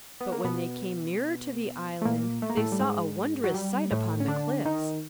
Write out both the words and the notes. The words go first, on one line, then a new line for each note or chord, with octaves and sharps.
But when they came nearer to the island they saw a wondrous sight upon the cliffs.
B3
A#3
B2 B3
A3
A#2 A#3
A3
A#3
A2 A3
G3
G#2 G#3
F#3
G3
A2 A3
C#4
D3 D4
D#3 D#4